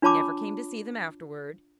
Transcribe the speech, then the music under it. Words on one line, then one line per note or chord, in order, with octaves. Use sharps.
He never came to see them afterward.
D4 F4 C#5 A5 B5 D6